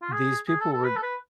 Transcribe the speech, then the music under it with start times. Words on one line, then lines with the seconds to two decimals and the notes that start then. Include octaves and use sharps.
these people were
0.02 F4
0.12 G#4
0.48 G#4
0.61 A4
0.73 A4
0.84 B4
0.96 A4
1.03 B4